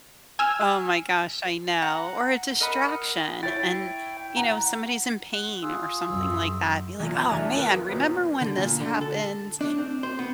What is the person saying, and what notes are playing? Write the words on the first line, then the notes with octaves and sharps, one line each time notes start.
Oh my gosh, I know. Or a distraction. And, you know, somebody's in pain or something like that, be like, "Oh, man. Remember when this happens?"
G#5 E6 F6
F#5 A#5
A#4 D#5 F#5 B5
E4 C#5 G5 A6
F#5 A#5
F#5
F4 G#4 E6
F#2
E2 A#2
E2 A3 D4 E4 G#5 A#5
D#3 E4 F4 A#4 B4
A#2 D#3 F#3 B3
D3
A#2
D3
A4
D4
C4
C5
B3